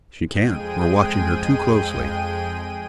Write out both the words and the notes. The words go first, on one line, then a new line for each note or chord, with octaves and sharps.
"She can't--we're watching her too closely."
F2 G#3 G#4 G5 D#7